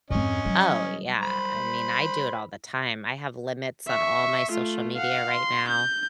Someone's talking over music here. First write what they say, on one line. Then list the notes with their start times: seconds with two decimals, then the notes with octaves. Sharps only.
Oh, yeah, I mean, I do it all the time. I have limits on all my social media right now,
0.10 F2 G#2 C#4 D#5
0.45 F#3 G3
1.23 C5 B5
3.88 E5 C#6
4.52 A3 F4
4.97 F5 F#5
5.31 C6
5.68 G6